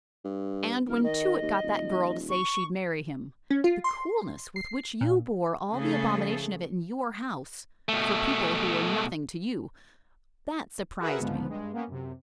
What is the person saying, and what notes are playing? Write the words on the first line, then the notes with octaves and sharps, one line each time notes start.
"And when Tewett got that girl to say she'd marry him, the coolness with which you bore all the abomination of it in your house,--for people who were nothing to you;--that surprised me!"
G2
D#1 A#4
D#3 D#5
D#2
D#1
C#6
C#4
F4
C6
C7
A#2
C#3 F3 A3 G#4 A4
B2 A3
F#4 G#4 A#4 B4 E5 F#5
C#2 G#2 D3 F3 B3
G2 G#3
A#3 B3 C#4
F#2 C3